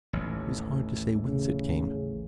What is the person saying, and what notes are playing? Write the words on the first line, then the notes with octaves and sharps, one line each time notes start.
"It was hard to say whence it came."
A1 D#2
C#3